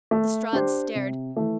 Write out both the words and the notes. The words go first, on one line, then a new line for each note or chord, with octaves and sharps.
Lestrade stared.
A3
D4 G4 C5
C3
E3 A3